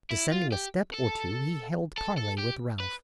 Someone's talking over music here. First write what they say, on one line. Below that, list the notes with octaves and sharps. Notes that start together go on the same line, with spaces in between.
Descending a step or two he held parley with Ralph.
E4
F4
G4
A4
A4
A4
G4
B4